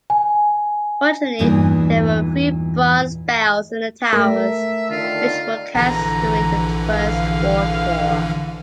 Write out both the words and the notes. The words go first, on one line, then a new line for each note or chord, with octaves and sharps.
Originally there were three bronze bells in the towers, which were cast during the First World War.
G#5
E2 G2 A#2 E3 D#4 G#4
A3 A#4 E5
D3 D#3 F4
A#1 D3 E3 A#5
F5